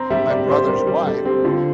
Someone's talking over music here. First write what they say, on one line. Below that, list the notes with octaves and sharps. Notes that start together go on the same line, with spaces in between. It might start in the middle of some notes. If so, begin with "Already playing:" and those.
my brother's wife,
Already playing: C4 A#5
G3 E5
G3 D5
G3 C5
G3 A#4
G3
G3 A4
C4 G4
D3 F4